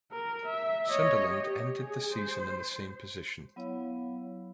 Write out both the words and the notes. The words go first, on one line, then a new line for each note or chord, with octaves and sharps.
Sunderland ended the season in the same position.
A#4
E5
C#5 D#5
G4
G#4
C5
F#3 B3 E4 C#5 F5